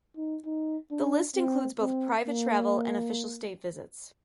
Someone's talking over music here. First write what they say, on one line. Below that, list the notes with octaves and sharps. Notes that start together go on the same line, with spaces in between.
The list includes both private travel and official state visits.
D#4
D#4
D4
C4
C4
A#3